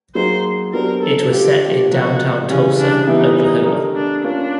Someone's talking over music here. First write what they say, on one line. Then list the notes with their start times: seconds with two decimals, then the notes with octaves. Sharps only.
It was set in downtown Tulsa, Oklahoma.
0.15 F#3 A#3 D#4 G#4 C5
0.73 F#3 B3 D4 G4 A#4 C5
1.03 A4
1.32 A3 D4 F4 G4
1.61 G4
1.90 C#3 F3 A#3 F#4
2.49 C#3 E3 G3 C#4
2.78 D4
3.07 E3 G3 B3 D#4 E4
3.65 A3 D4 G4 A#4
3.95 D4
4.24 A#3 C#4 D4 F4 A#4